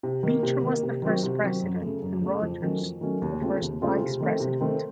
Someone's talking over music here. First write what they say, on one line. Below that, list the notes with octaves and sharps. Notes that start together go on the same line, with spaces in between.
Beecher was the first president and Rogers the first vice-president.
C3
D#3 A#3
C3
D#3 A#3
C3
D#3 F#3 C4 F#4
C3
D#3 F#3 C4 F#4
F#2
C#3 A3
F#2
C#3 A3
F2
D#3 F#3 A3 C#4
F2
D#3 F#3 A3 C#4
D#2
C#3 A3 C4 F4
D#2
C#3 A3 C4 F4
C3
D#3 A3 C4
C3
D#3 A3 C4